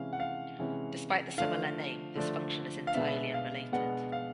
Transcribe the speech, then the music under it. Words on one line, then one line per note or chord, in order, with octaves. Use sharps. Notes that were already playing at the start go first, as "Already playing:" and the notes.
Despite the similar name, this function is entirely unrelated.
Already playing: C3 E3 G#3 C#4 E4 F5
F#5
F5
C3 E3 G#3 C#4 E4
D3 F3 A3 D4 F5
D3 F3 A3 D4
F5
B2 G#3 B3 D4 E5
F5
B2 G#3 B3 D4 F#5
F5